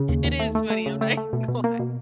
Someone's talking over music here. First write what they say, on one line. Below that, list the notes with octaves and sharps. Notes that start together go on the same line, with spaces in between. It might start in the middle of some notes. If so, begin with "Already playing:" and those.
It is funny, I'm not even gonna lie.
Already playing: C#3
D#2
D#2
A3
A3
A3
C#3
A3
A3
B2
B2
A#3
B2